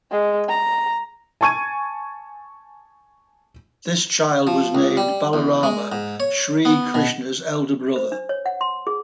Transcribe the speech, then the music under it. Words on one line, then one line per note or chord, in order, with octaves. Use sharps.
This child was named Balarama, Shri Krishna's elder brother.
G#3
A#5
G#5 A5 C#6 G#6 D#7
F3
C#2
G3
E2
G#3
G#2
C#5
B3
B2
C5
D4
C#5
F#5
C6
G#4